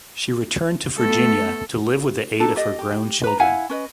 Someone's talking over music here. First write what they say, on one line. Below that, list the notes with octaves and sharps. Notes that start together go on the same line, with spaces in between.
She returned to Virginia to live with the aid of her grown children.
A3 B3 A4
D4 D#4 A4
G4 D5 D#5
G4
B4 A#5
E4 F5 F#5 G#5
C#4 B4 D#5